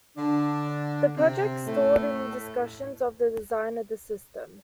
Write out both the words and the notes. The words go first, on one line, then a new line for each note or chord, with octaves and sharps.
The project stalled in discussions of the design of the system.
D3 D4
C3 C4
A2 A3